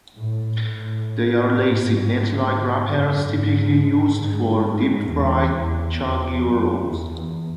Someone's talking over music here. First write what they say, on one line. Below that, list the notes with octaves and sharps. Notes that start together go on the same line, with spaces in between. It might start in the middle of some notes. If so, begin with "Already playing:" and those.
They are lacy, net-like wrappers typically used for deep-fried cha gio rolls.
A2
A2
G#2
F#2
G#2
G#2
E2
E2
E2
F#2
E2